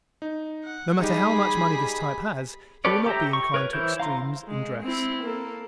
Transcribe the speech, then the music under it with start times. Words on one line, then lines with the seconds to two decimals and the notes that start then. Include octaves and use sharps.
No matter how much money this type has he will not be inclined to extremes in dress.
0.22 D#4
0.65 F#5
1.00 G3 D#4 G4 G#4 B5
2.85 G4 A4 B4 C#5 D5
3.06 G4 E5 G5 A#5
3.33 C#6
3.54 A#4 B4 C#5
3.73 E3 E4 C5 G6
4.00 F5 A#5 C6
4.48 G#3
4.82 C4 E4
5.23 A#3 A4